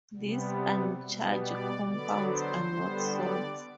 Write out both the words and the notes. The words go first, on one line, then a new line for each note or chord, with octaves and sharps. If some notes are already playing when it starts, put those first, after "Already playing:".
These uncharged compounds are not salts.
C3 G3 B3
B2 G3 B3
D5
D3 F#3 B3 D5
C5
D3 G3 B3
D5